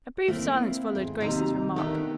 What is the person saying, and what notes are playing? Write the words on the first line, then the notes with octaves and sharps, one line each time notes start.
A brief silence followed Grace's remark.
A3 A#3 C4 E4
G#2
D#2 C3 D#4 A#5
D#3 A3 B3 D4 G4